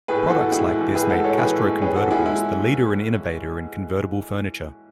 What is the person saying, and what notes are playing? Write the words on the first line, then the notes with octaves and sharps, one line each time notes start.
Products like this made Castro Convertibles the leader and innovator in convertible furniture.
A2 G#4 B4
E3
F#4 A4
A2
G#3 E4 G#4
A2
E3
A2 G#4 B4
G#3 F#4 A4
A2 A4 C#5
E3 G#4 B4
A2
G#3
C#4 G#4 B4
E3 F#4 A4
G#2 E4 G#4
G#3 E4